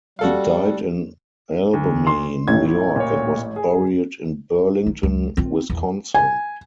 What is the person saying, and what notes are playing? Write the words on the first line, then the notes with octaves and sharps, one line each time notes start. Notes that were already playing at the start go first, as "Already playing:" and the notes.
He died in Albany, New York and was buried in Burlington, Wisconsin.
G3 F#4 A4 F5
D2
C6
A1 A2 G#6
A#2 C#5
G#4
D#3
C#2
C4 F4
E2
G#5